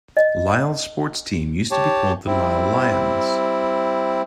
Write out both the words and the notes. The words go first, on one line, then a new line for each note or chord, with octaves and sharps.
Lyle sports teams used to be called the Lyle Lions.
D#5
G4 C#5 A5
G3 C4 E4